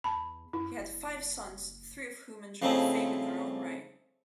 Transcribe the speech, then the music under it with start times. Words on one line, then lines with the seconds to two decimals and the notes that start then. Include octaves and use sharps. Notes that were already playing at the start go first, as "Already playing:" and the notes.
He had five sons, three of whom enjoyed fame in their own right.
0.04 E2 A5 B5
0.53 F#2 E4
0.79 F#1
2.62 C#3 F3 A3 C4 D#4 E4